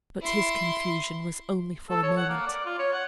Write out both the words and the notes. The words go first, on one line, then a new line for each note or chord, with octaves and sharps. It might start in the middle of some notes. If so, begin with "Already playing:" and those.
But his confusion was only for a moment.
E4 C6
A4
C#5
F#5
A#3
D5
F4
C#5
F#5